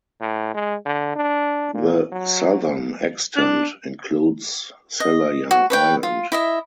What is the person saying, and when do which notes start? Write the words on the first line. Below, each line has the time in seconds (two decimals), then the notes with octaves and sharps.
The southern extent includes Selayar island.
0.21 A2
0.55 G#3
0.86 D3
1.16 D4
1.74 A#2
2.12 F#3
3.36 D4
5.00 D#5
5.51 F#4
5.70 B4 C#5 G5
6.03 F4
6.32 E4 D#5 E5